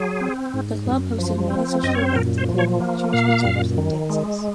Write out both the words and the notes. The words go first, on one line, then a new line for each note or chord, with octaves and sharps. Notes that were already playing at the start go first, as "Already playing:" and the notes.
The Club hosted many social events, including lectures, recitals, and dances.
Already playing: F#3 G#4
C4
G#2
F#2
F3
C4
F#2 D#5
C#5
C5
A#2 A#4
C5
F3
C#5
A#3
A#2 F5
F#2
D#3
G#3